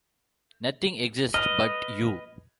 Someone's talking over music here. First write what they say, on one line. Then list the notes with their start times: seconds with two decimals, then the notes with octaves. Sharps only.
Nothing exists but you.
1.34 B4 D#5 F6